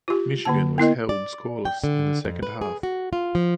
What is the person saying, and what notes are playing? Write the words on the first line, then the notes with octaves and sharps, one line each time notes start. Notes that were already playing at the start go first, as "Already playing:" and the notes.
Michigan was held scoreless in the second half.
F4 G4
D3 A#3 A5
B3 E4 A#4 D#5
D5
G5
D3
F2
B4
G#4
F#4
F4
F3